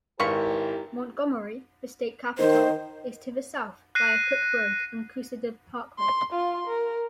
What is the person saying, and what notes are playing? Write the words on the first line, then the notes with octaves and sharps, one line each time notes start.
Montgomery, the state capital, is to the south via Cook Road and Coosada Parkway.
G#1 E4 G4 A#4 B4 F5 C#6
D#3 C5
F#6 A#6 C7 D#7
C6
F4 C6
A#4